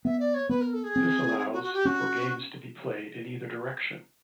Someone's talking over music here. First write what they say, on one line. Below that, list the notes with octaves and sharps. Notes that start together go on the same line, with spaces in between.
This allows for games to be played in either direction.
B3 E5
D5
C#5
B3 B4
A#4
A4
G#4
C4
F#4
F#4
G4
C#4 F#4